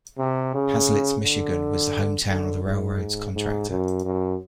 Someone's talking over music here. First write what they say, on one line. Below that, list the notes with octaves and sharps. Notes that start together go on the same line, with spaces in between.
Haslett, Michigan was the hometown of the railroad's contractor.
C3
C#3
D3
D3
G#2
G#2
F#2
F#2